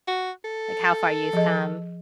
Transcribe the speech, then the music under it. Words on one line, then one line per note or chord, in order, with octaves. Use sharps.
like, how far you've come
F#4
A4
F3 G#4 D#5